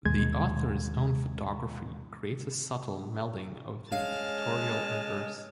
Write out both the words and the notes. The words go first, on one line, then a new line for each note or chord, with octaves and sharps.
The author's own photography creates a subtle melding of the pictorial and verse.
D#2 B2 G#3 G#6
G#3 C#4 F5 A5 F6